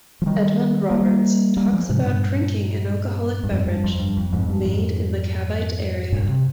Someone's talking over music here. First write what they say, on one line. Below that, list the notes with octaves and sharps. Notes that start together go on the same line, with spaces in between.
Edmund Roberts talks about drinking an alcoholic beverage made in the Cavite area.
F3
D#3 G3
G3 A#3
G3 A#3
F3 G#3
G#2 C3
G2 A#2
G2
F2 G#2
G2
F2
G2
F2
F2 G#2
G2
F2 G#2
G2 A#2
C3